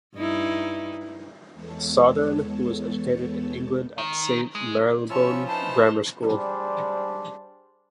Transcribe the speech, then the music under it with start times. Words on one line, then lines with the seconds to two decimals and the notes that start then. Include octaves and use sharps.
Sothern was educated in England at Saint Marylebone Grammar School.
0.17 G2 D#4 E4
1.53 E2 G#3 B3 A4 C#5 A5
3.98 D#3
4.55 G#3
5.10 F3 C#4 E4 F4 C#5 E5 A5 E6
5.48 D#4 E4 B4 C5 A5
6.24 G3 D4 G#4 C5